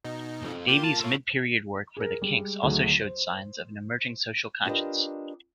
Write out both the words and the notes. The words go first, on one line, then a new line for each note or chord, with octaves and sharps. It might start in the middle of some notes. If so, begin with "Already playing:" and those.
Davies' mid-period work for the Kinks also showed signs of an emerging social conscience.
B2 D#4
B1 F2
A#3 F4 G4
A5
A4 C#5
G#4 A#4
G3 G#3
D2 D#3 F#3 A3 D#4 G#4
C5
D4 F4 G4 A#4 B4 D#5